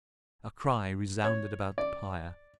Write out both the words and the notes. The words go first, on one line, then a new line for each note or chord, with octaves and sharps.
A cry resounded about the pyre.
C#5
D5